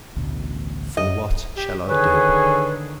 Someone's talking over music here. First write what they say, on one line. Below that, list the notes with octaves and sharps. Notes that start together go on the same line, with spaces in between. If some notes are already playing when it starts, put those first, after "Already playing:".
For what shall I do?
A1 D2 B2
F#2 D#5
G4
D3 D#3 G#4 B4 C#5